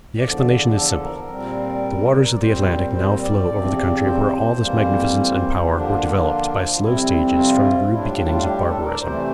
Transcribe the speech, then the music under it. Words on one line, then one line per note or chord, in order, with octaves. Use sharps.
The explanation is simple: the waters of the Atlantic now flow over the country where all this magnificence and power were developed by slow stages from the rude beginnings of barbarism.
E2 D3 F3 D5
A4
A#4
A#2 G3 C4
D5
A#2 G3 C4 C5
C5
D5
E2 C3 F3 C4
C5
F2 E3 G3 A#3
F4
D3 F3 A#3 D4 G4
G4
F4
F4
F2 C3 G3 C4 E4
E4
F4
A2 G3 D4 E4
F4
E4
F4
G4
A4
A#4
D5
C3 E3 A3 C5